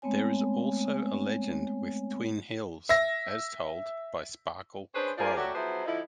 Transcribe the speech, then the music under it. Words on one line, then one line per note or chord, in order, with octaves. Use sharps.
There is also a legend with Twin Hills as told by Sparkle Crowe.
G#3 A3 B3 C4 C#5 G#5
E5 A#6
C#4 D4 G#4 B4 C5
F3 A#3 F4 G#4 A#4 D5
F#3 A3 D4 F#4 G4
F3 F#3 B3 E4 G#4 C5
D3 F3 D#4 E4